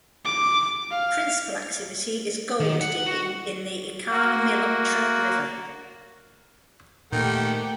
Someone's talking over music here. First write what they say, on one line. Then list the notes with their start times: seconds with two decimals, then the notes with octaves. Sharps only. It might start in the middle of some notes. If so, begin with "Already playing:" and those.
Principal activity is gold digging in the Ikalamilotra river.
0.25 D6
0.91 F5
2.60 D#3
2.81 F#5
3.06 F#4
4.10 A#3 F#4
7.12 A#2 D#3 A3 A#3 G4 F#5 G5